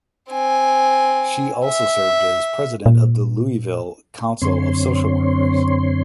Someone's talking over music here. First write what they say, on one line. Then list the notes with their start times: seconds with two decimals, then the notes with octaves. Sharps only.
She also served as president of the Louisville Council of Social Workers.
0.31 C4 G#5
1.65 E5
2.86 A#2
4.42 F#2 D3 C4 C#5 C6